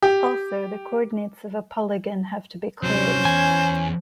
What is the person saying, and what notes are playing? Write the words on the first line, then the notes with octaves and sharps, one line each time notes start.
Also the coordinates of a Polygon have to be closed.
G4
C3 F#3 C#4 C5
E2 G#5